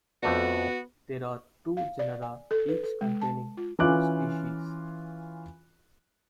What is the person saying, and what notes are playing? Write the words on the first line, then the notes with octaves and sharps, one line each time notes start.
There are two genera, each containing two species.
F2 A3 B3 D4 F#4
F5
D5
G#5
A4
B4
A4
G#3
A5
F4
E3 C#4 F4 D6 F#6